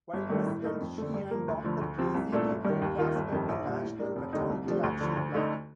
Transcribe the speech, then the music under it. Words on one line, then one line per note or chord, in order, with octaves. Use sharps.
While President, she and Doctor Tracy Reibel drafted the National Maternity Action Plan.
G1
G2 D#3 A3 D4
A2
A3 D#4 A#4
F2
D3 A3
G2
F3 A#3
D2
D3 F3 A3
D2
C3 F3 C4
C2
A#2 A3 D4 A4
G1
G2 D#3
D#2
D#3 A#3 F4
G1
F2 D#3 G3
A#1
A#2 G3
A2
G3 A#3 D4
F1
D#2 D3 A3 D#4
C2
C3 F3 A3 D4
D2
D3 F3
D2
D3 A3 D#4